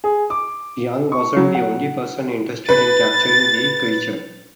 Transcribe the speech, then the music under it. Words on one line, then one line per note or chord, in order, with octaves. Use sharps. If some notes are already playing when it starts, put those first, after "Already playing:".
Young wasn't the only person interested in capturing the creature.
G#4
D6
C#6
F#3
F#5
B4 A6